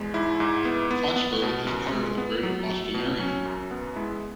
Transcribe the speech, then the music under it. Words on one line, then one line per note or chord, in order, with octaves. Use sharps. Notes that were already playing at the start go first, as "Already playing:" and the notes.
Foxborough is part of the Greater Boston area.
Already playing: E2 G#3
G#2 E4
G#2
B3
B3
B3
B2
F#2
G#3
B3
F#3
F#3
B2
F#3 C#4
F#2
B3
G#3 E4